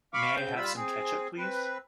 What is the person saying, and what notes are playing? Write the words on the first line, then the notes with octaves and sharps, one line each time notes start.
May I have some ketchup, "please"?
F5 B5 C#6 D6
C#3 C4 G6
G3 F4 B5 E6
C4 G#4
C4 B4